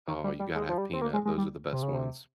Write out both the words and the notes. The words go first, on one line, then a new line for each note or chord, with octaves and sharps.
Oh, you gotta have peanut, those are the best ones.
D#3
G3
G3
G#3
F3
G3
C4
A#3
G#3
G#3
G3
C3
C#3
C3